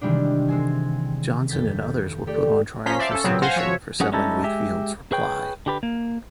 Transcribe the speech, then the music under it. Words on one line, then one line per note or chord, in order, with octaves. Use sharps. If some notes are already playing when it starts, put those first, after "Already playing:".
Johnson and others were put on trial for sedition for selling Wakefield's "Reply".
C3 D#3 E3 G3 G#3 D4
G#3 C4 G#5
F1 G6 A6 B6
A3 G4 D5
F3 C#4 A#5 C6 B6
C5 D5 E5 F5 A5
C#4 A4
A#2 C#3 F#3 B3 C4
C5 F5 F#5 G#5 C6 A#6
F3 F#4 C#5 E5
F#3 C#4 G#4 F#5
G3 G#3 C#4 D#4 E4 A4
G#3 G4 E5
G#4 B4 C#5 G5
D3 G4 B4
A#3